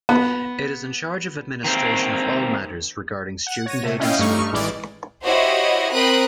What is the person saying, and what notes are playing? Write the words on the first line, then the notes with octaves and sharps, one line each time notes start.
It is in charge of administration of all matters regarding student aid in Sweden.
B3
D#3 A#3 C4
F#5
C#5 A#6 D#7
C3 A3
C#4 E4 D#5 F5 G5
G2 A3 D#4 C#6 F6
A1 E3 G#3 D5 D7
E4 F#4 G4 C5 C#5 D#5
C4 A#4 G5 B5 D#6 F#6